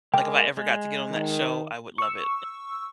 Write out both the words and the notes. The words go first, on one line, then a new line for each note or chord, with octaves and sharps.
like, if I ever got to get on that show, I would love it.
G#3 A#4 G5 D6
G#3
D#3
C#6 E6